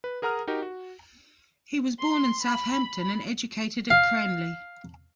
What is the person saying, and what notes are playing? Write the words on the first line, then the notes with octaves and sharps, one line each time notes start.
He was born in Southampton and educated at Cranleigh.
B4
G#4 A#4 F#5 A#5 D#6 F6
D#4 F#4 G4 A#4
F#4
C6
B5
F5